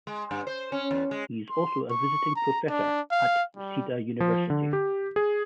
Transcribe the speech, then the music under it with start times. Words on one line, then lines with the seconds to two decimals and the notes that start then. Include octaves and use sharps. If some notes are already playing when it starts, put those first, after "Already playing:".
He is also a visiting professor at Waseda University.
0.07 G#3
0.31 G2
0.47 C5
0.72 C#4
0.91 E2
1.11 G#3
1.50 C6
1.90 C#6
2.36 A#5
2.69 D4
3.11 F5
3.57 G3
4.20 F3
4.50 D3
4.73 G4
5.16 G#4